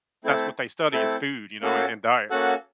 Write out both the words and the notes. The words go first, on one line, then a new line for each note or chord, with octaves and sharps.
that's what they study is food, you know, and, and diet.
A3 C4 E4 A4
A3 C4 E4 A4
A#3 C#4 F#4 A4
A#3 C#4 F#4 A4 F#5